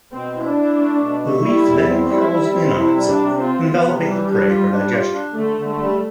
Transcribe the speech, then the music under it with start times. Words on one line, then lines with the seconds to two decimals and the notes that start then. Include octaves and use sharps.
The leaf then curls in on itself, enveloping the prey for digestion.
0.13 B2 C4
0.35 E4
0.45 D4
0.57 E4
0.78 A3
1.00 B2
1.22 A3
1.44 G3 E4
1.65 E2
1.88 C4
2.09 G3 E4
2.31 G3
2.52 C4
2.74 C3 E4
2.96 G3
3.07 D4
3.17 C3
3.39 C4 F4
3.61 F4
3.72 B3
3.83 C3
4.04 E3 G3
4.26 D4
4.48 F4
4.70 D4
4.92 F4
5.13 D4
5.35 D3 A3
5.57 D3
5.68 A3
5.79 G3